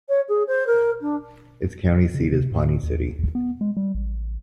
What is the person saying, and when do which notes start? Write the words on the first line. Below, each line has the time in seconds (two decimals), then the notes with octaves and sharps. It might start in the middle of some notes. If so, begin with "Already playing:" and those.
Its county seat is Pawnee City.
0.08 C#5
0.28 G#4
0.47 C5
0.66 A#4
1.01 D4
2.14 C#3
2.33 C3
2.52 A2
2.83 D#2
3.19 D#2
3.35 B3
3.61 G#3
3.77 G3
3.95 A1